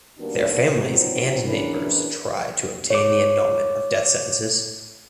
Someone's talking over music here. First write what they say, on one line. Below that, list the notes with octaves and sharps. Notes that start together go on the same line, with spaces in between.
Their families and neighbors try to obtain the annulment of death sentences.
D#3 G3 A#3 B3 D4 F#4
A#2 D#3 F#3 B3 C4
E2 E3 C#4 D4 A#4 B4
C#5 D6